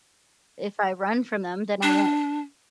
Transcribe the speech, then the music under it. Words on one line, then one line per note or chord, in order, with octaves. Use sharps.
if I run from them, then I won't
D4